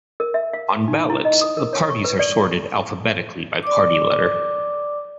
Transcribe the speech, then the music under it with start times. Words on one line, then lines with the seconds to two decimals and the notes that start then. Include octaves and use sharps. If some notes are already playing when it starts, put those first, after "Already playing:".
On ballots, the parties are sorted alphabetically by party letter.
0.20 A#4
0.34 E5
0.53 F5
0.88 D#4
1.10 E4
1.25 D#5
1.41 D#6
1.57 A#4
1.73 C#5
1.90 C#6
2.05 B4
2.19 D5
3.63 D5 D6